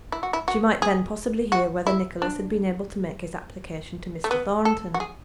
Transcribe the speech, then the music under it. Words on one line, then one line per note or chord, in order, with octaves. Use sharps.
She might then possibly hear whether Nicholas had been able to make his application to Mr. Thornton.
E4
F#4
E4
F#4
G#4
F#4
E4
D4
A3
B3
A4
F#4
G#4